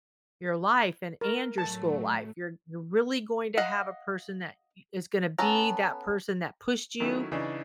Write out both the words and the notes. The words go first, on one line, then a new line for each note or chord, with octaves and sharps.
your life and and your school life. You're you're really going to have a person that y is gonna be that person that pushed you
A#4
A2 F#3 A3 A5
D#5 F5 F#5
B3 C#4 A4 A#5
D#3 F#3 A3 C#4 E4
C#3 E3 D4 D#4